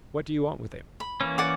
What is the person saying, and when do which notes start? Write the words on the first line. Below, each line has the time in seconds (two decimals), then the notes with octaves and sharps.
"What do you want with him?"
1.00 B5
1.21 E3 A#3 C#4
1.38 D5 F#5 D6